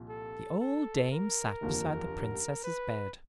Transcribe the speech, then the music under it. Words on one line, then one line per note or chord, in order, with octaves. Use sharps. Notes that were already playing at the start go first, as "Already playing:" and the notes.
The old dame sat beside the Princess's bed.
Already playing: C2 A#2 F3
A4
A4
A#4
F1 D#2 D3 F3 A#3
B4